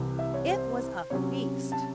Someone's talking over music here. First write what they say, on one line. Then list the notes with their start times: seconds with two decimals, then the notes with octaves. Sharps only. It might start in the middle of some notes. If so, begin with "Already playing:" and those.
It WAS a feast!
Already playing: C2 C3 E3
0.19 E5
0.34 C#5
0.50 C5
1.10 C3 F#3 C#4 C#5
1.72 A5